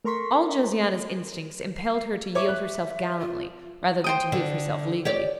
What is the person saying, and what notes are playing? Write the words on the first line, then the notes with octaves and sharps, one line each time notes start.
All Josiana's instincts impelled her to yield herself gallantly rather than to give herself legally.
A3 A#4 A#5 C6 C#6 B6
C7
C#5 E5 D6
F#6
F4
C5 G5 D#6
D3
G4 C#5 D5